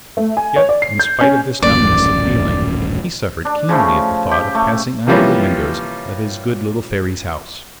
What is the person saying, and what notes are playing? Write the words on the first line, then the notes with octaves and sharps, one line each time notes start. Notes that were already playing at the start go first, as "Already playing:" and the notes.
Yet, in spite of this numbness of feeling, he suffered keenly at the thought of passing under the windows of his good little Fairy's house.
A3
G#5
C#5
D5
C7
G6
C#4
D#1 A1 F#2 D5
D4
C#3 F3 A3
G4
A3
C3 E3 F3 G3 A#3 C#4